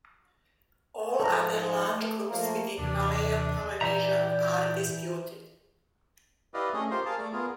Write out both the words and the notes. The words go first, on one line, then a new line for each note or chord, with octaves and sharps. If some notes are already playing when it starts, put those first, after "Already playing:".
All other large groups within Malayo-Polynesian are disputed.
G#2 F3 A4 E5 A#5
A3
F3 A3 A#3
D#2 C3 E3 D4
A#2 E3 D5 E5 G5 A#5
E4 G4 B4 D5 D#5 F5
A3 C#4 G#4 D#5
F4 G4 A#4 C5 C6
G#4 A#4 F5 A5
A3 D5 D6
B3 F4 G#4 A#4